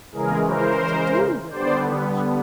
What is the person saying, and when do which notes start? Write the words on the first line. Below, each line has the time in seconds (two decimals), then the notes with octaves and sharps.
But what are they to do with their leisure?
0.12 C#3 E3 G#3 G#4 A#4
0.47 A#4 C5
1.50 D3 G3 B3 C5 D5